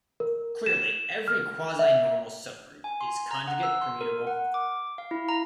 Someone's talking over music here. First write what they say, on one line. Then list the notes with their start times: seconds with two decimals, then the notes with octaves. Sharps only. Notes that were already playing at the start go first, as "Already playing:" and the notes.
Clearly, every quasinormal subgroup is conjugate-permutable.
0.20 A#4
0.66 E7
1.28 F6
1.79 E5
2.84 G#5
3.01 C6
3.31 A#5
3.48 F#5
3.63 E6
3.81 C6
4.01 A#4
4.27 F#5
4.54 D6
4.98 F5
5.11 E4
5.29 A#5